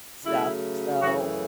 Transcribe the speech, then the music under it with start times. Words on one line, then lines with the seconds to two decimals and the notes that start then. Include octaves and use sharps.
stuff so,
0.23 C#3 F#3 A3 E4
1.00 F#2 C#3 E3 A3 F#4